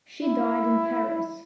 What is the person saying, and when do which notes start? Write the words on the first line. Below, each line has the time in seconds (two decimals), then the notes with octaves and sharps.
She died in Paris.
0.22 E4